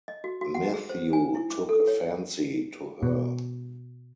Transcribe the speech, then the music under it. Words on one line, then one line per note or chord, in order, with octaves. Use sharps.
Matthew took a fancy to her.
D#5
F#4
F#4
F#5
G#4
C5
G#5
E4
D6
A4
C#5
B2